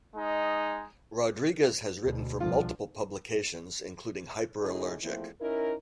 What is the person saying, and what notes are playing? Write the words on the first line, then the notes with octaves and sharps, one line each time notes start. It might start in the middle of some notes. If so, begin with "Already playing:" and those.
Rodriguez has written for multiple publications including Hyperallergic.
G#3 D#4
D2 B2
C2 D3 F3 F4
A2 C#3 D#4 E4 F#4 G#4
E2 F3 A3 A#3 C4 E4
C#4 D#4 E4 A#4